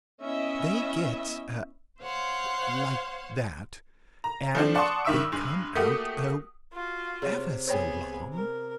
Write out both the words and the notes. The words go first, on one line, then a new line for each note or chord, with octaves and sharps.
"They get--like that--and they come out, oh, ever so long!"
B3 C#4 E4 D#5 E5
C5 C#5 F5 F#5 C6
A#5
F3 A3 C4 D4
D5 F#5 A5 C6 C#6 D#6
G2 D#3 E5 C#6 E6 D7
G2 G#3
A3 A#3 F#4 G4 D#6
F4 F#4
C3 G#4 C#5
B3 G#4 C5 C#5 G5
A#4